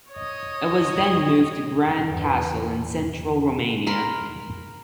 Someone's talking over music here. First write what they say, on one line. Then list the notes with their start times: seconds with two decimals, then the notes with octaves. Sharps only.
It was then moved to Bran Castle, in central Romania.
0.11 C#5 D#5
2.10 E2 G2
3.87 A#4 B5 C6